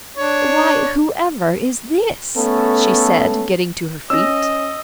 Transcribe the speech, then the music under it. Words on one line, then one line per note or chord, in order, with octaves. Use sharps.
"Why, whoever is this?" she said, getting to her feet.
D4 C#5
A3 B3 C#4 A4
C#4 D#5 E6 A#6